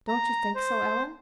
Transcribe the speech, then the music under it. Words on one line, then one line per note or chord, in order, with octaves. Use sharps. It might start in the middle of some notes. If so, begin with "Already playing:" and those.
"Don't you think so, Ellen?"
A#5
C5